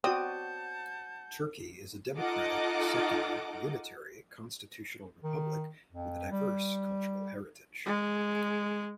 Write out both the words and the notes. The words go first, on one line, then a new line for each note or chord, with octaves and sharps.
Turkey is a democratic, secular, unitary, constitutional republic with a diverse cultural heritage.
C4 F#4 D5 F#5 A5 D#6 G6
D#4 F4 A4 D#5 F#5 D6
D#3
F2
G3
G#3